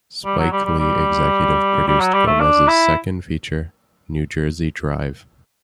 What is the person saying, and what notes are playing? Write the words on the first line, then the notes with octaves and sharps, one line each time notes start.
Spike Lee executive produced Gomez's second feature, "New Jersey Drive".
G3
F#3
G3
G3
G3
G3
F#3
G3
A3
D4
E4